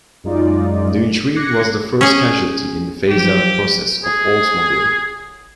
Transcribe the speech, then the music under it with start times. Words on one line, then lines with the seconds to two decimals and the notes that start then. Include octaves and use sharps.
The Intrigue was the first casualty in the phase-out process of Oldsmobile.
0.24 F#2 G#3 D#4 F4 D5
1.35 D6 F#6 G#6 A#6 C7 C#7
2.01 C#4 G#4
3.10 F3 F#3 G4
4.04 G#4